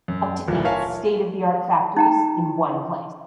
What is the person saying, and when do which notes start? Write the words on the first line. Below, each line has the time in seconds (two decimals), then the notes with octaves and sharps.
Up to eight state-of-the-art factories in one place.
0.08 F#2
0.47 F#1 D2 A#2 E3 F3
0.64 A#4 C#5 E5 F5 G#5 A5
1.97 D#4 G5 A#5